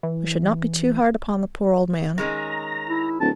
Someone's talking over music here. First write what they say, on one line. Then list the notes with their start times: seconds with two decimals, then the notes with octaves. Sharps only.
We should not be too hard upon the poor old man.
0.03 E3
2.18 D#3 G#3 C#4 A#5
2.89 E4
3.21 D1 A5